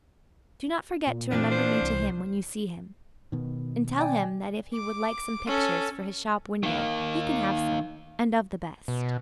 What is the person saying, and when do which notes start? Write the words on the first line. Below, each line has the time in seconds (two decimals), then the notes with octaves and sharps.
Do not forget to remember me to him when you see him, and tell him that if he would like some pictures for his shop-window, he can have some--and of the best.
1.07 A#2
1.32 E2 E3 F3 C4 D4 F4
1.51 C5
1.82 C2
3.32 B2 D#3
3.99 D5 G5 G#5
4.73 D6
5.47 C#4 A4
6.63 D#3 A#3
8.88 B2